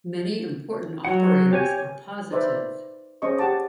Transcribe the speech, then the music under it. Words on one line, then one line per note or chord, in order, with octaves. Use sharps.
Many important operators are positive.
F#3 F#4 F#5
G4 C#5 G#5
D#4 B4 C5 D5 E5
C#4 G#4 C5 D#5 C#6
G4 F#5 A5 D6